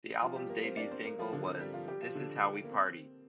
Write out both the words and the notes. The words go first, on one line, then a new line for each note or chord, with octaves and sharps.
The album's debut single was "This Is How We Party".
F3 F4
G3 G4
A#3 A#4
C4 C5
D4 D5
C4 C5
A#3 A#4
F3 F4
D3 D4
C4
G3 G4
F3 F4
G3 G4
F3 F4
D3 D4
A#3
C4